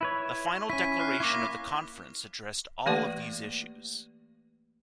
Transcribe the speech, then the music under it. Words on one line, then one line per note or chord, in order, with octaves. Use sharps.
The Final Declaration of the conference addressed all of these issues.
E4 B4 C#5
C#6
C#4 E4 B6 D#7
F6 F#6 C7
A#3 E4 C#6 D6 A#6
E3 A3 A#3 G4 B4 D5